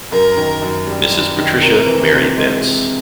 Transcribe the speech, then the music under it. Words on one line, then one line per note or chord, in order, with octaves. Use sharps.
Mrs. Patricia Mary Bence.
F#2 A#4
D#3
F#2
G3
F#2
D#3
C3 A#4
E3
C3
G#3
C3